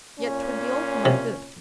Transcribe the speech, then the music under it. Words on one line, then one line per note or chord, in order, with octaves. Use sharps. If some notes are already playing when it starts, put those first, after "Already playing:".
Yet 'twould be all for my good.
A#2 C#4
C3